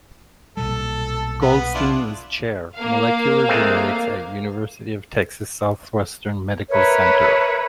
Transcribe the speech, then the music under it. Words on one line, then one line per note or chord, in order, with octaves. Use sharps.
Goldstein is Chair, Molecular Genetics at University of Texas Southwestern Medical Center.
B1 A#2 G3 A4
B3
D4 E4 F4
A#3 F5
G#3 A3 C4
A#4 B4 C#5 E5